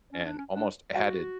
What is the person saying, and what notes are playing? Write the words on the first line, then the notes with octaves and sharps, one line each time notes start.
and almost added,
C#4
D4
C#4
D4
F#4